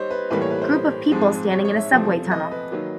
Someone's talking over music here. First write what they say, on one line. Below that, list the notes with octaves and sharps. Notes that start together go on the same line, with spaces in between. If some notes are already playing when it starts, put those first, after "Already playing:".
Group of people standing in a subway tunnel.
Already playing: G3 D#4 C5 C#5 D#5
B4
A2 E3 G3 A#3 B4
C#5
B4
C5
G#2 F3 G#3 C4
C#5
C#5
E5
E2 C3 F3 A3 C4
D#5
B4
D#3 F#3 A#3